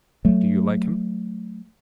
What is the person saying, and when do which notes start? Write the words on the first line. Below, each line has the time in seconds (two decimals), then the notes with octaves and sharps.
"Do you like him?"
0.25 F#3 A3